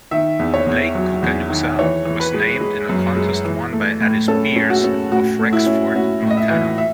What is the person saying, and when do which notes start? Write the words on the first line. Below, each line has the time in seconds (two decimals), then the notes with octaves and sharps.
Lake Koocanusa was named in a contest won by Alice Beers of Rexford, Montana.
0.11 D#3 E5
0.39 E2
0.54 C#5
0.67 E2
0.95 F#3
1.22 E2
1.50 D#3
1.79 E3 C#5
2.05 E3
2.20 B4
2.34 G#3
2.61 G#3
2.89 F#2
3.17 G#3
3.45 E3
3.73 A3
4.01 A2
4.28 C#4 A4
4.56 C#4
4.70 F#4
4.84 C#4
5.12 A2 F#4
5.39 A3
5.53 E4
5.67 C#4
5.95 C#4 F#4
6.22 A2
6.30 D#5
6.37 E5
6.50 E3
6.78 E5